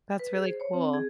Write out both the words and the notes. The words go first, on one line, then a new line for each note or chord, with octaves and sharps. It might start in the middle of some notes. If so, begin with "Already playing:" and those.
That's really cool.
B4
G#4
C5
C#5
C4
G#4